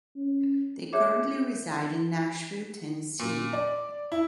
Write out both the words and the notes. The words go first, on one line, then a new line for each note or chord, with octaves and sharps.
They currently reside in Nashville, Tennessee.
C#4
G#4 C#5 E5 D6
A#2
D5
E4